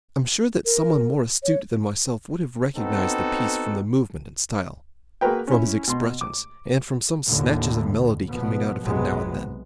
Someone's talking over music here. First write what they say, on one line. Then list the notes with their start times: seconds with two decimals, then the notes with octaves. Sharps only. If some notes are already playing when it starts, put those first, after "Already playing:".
I'm sure that someone more astute than myself would have recognized the piece from the movement and style, from his expressions, and from some snatches of melody coming out of him now and then.
0.65 A#4
1.43 C#5
2.76 B3 C4 D#4 F#4 A4
5.21 A#3 F#4 G#4 A#4 B4 G5
5.47 C#4 E4
5.87 B2 C6
6.21 D6
7.27 A1 D#2 A2 D3
8.29 G#1 B2 F3 B3
8.85 B1 G#2 C3 F#3 G#3 B3